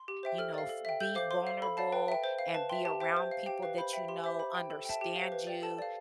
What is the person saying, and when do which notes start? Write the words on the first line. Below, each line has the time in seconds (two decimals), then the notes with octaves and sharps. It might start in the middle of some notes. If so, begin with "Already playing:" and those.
you know, f be vulnerable and be around people that you know understand you,
Already playing: C6
0.08 G4
0.23 C5 E5 G5
0.38 A4 F6
0.54 D5 F5
0.69 A4
0.85 E5 G5
1.00 A4 G6
1.15 C5 F5 D6
1.31 C5 C6
1.47 F5
1.62 A4 B5
1.77 D5 F5 A5
1.92 B4 G5
2.08 E5 G5
2.24 C5
2.39 F5
2.54 B4 A5
2.69 E5 G5 C6
2.85 G4 A5
3.00 C5 E5 G5
3.17 C5
3.31 F5
3.46 G4 G5
3.63 B4 F5
3.78 C5 B5
3.93 E5 G5
4.08 G4 C6
4.24 C5 E5 D6
4.39 C5 B5
4.55 G5
4.70 A4
4.85 E5 G5 A5
5.01 G4 G5
5.16 F5
5.21 C5
5.32 B4
5.47 D5 G5
5.62 A4 A5
5.79 D5 F5